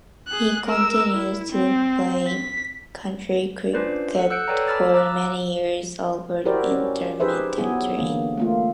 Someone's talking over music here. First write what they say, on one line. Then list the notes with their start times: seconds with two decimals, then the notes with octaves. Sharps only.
He continued to play county cricket for many years albeit intermittently.
0.28 G#4 F#6
0.66 A#4 E6
1.14 E4
1.52 C4
2.28 B6
3.73 C#4 D4 F4 B4 C5 D5
4.15 A4 F#5
4.30 E6 F#6 G6 C#7 D7
4.48 A4 B4 C#5 D5 G5 A#5
4.68 A5 B5 D6 E6 F6 A6
4.93 F5 A#5 D6 E6 F#6
6.45 E4 F#4 G4 A#4 C5 D5
6.71 C#4
7.20 D#4 G4 G#4 B4 C5 E5
7.58 F#3 B3 E4 G#4
7.98 D3 E3 A#3
8.37 A3 A#3 F4